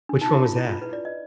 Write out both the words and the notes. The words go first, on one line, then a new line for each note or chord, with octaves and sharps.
Which one was that?
D4
D#4
F4
E4
F4
E4
F4
B4
D5
D#5